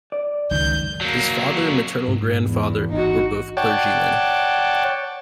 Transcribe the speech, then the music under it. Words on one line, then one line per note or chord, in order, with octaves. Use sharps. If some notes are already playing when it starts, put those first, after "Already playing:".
His father and maternal grandfather were both clergymen.
D5
C#2 F#2 D#3 G6
F#3 A#3
G#2
E2
A1 D#4 F#4
C#5 D5 F#5 G5 A5